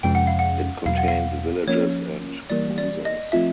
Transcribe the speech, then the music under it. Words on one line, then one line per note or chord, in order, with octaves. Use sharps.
It contains villages and mouzas.
F2 C3 F3 G#3 C#4 G5
F#5
F5
F#5
E2 B2 F#3 F5
F#5
F5
F3 A#3 C#4 C#5
E3 G3 A#3 D5
D5
D#5
F3 A3 C4 F4 E5